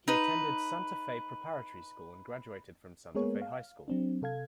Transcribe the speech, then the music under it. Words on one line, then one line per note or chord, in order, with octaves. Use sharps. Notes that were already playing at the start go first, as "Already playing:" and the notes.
He attended Santa Fe Preparatory School and graduated from Santa Fe High School.
D#4 B4
G#3 A#3 B3 G#4 A#4 C#5
F5
F#3 C4 D4
C3 A4 F5 G#6